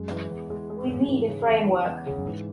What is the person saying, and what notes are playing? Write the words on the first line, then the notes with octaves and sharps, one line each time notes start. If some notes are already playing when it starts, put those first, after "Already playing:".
We need a framework.
Already playing: F#2 G#3
E3
E2
G#3
G#3
C#3
G#2 E3
C#3
E2
E3
E2
E2 C#3
F#2
G#2 E3